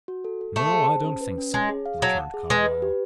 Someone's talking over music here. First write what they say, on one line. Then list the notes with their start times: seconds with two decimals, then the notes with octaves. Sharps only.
"No, I don't think so," returned Carlyle.
0.08 F#4
0.25 A4
0.41 A4
0.56 A3 A5
0.73 G#4
0.88 C5
1.05 C#4
1.21 B4
1.38 C#4
1.53 G#3 C#5
1.69 G#4
1.86 F5
2.02 F#3 A5
2.18 F#5
2.34 G#4
2.50 G#3 B4
2.66 B4
2.82 G4